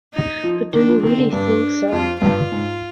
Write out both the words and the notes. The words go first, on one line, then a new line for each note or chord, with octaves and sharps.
But do you really think so?
D#4
F3
D#3 D4
F3
D#3 C4
D3
G2 D4
F2 F4
G2 F4
G#2